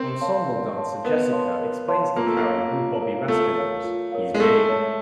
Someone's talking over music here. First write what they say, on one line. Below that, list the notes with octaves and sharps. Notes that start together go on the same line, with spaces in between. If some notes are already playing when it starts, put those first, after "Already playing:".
Ensemble dancer Jessica explains to Karen who Bobby Raskin was: He's big.
Already playing: C4 A#4
C#5 F5 A5 C6
A#4
C#5 F5 A5 C6
B3 A#4
C#5 F5 A5 C6
A#4
C#5 F5 A5 C6
A#3 F4
A3
A#3
A#4 C#5 F5
F4
A#4 C#5 F5
A3 F4
A#4 C#5 F5
F4
A#4 C#5 F5
G#3
A3 A4
C#5 E5 A5